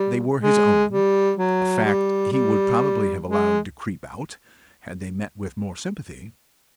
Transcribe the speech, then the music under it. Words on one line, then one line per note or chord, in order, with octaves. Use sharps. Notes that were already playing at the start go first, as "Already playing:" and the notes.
They were his own, a fact he would probably have allowed to creep out, had they met with more sympathy.
Already playing: G3
G#3
G3
F#3
G3
G3
G#3